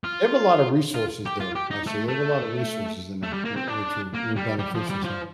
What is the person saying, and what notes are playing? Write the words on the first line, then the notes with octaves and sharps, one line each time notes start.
They have a lotta resources there, actually, they have a lotta resources in there, where where true real beneficial stuff.
F4
F4
G4
F4
G4
D#4
A3
A3
A3
G3
A#3
C4
D4
A#3
G3
G3
F3
G3
F3